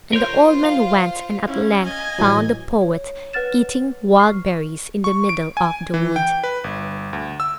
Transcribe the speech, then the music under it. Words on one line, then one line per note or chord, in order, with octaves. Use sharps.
And the old man went, and at length found the poet eating wild berries in the middle of the wood.
F4 A#4 C5 C#5 G6
F5
C#4 E4
D#5 G#5
A2 E3 F#3
C#5
B4 F#5 F6 A6 E7
C#6 F6 C7
C#6
D7
G#5
E3
G5
B4
G1
D2
E6